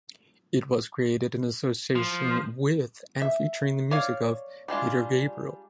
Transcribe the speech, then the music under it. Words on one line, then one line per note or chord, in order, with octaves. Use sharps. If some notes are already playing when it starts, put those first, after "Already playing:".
It was created in association with and featuring the music of Peter Gabriel.
F3
E5
C#5 D5 F5
G3 G#3 D4 F4